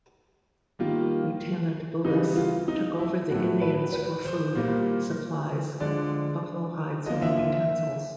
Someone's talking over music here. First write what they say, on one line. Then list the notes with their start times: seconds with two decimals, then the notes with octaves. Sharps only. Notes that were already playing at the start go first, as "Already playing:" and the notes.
Lieutenant Bullis took over the Indians for food, supplies, buffalo hides, and utensils.
0.79 D#3 G3 A#3 F4
2.04 C#3 E3 G3 D#4
2.37 F4
2.68 D#4
2.99 E4
3.30 A2 F#3 A3 F#4
3.61 B4
3.93 B4
4.25 C5
4.55 A#2 G3 A#3
5.80 D3 F3 G#3 D5
7.06 D3 F3 A#3 D#5
7.22 E5
7.37 E5
7.52 E5